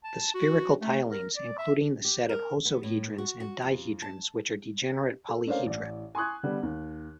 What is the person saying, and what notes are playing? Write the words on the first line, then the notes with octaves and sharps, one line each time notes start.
The spherical tilings including the set of hosohedrons and dihedrons which are degenerate polyhedra.
A5
F#4
A3
A#4
D5
E5
G4
A#4
B3
A2
F#4
F#4
F2
A5
A4
A3 C#4 D4 A#4 C5 F5
A1 E3 D5
G#5 C6 C#6 D#6 F#6 G#6
D3 G3 B3
D#2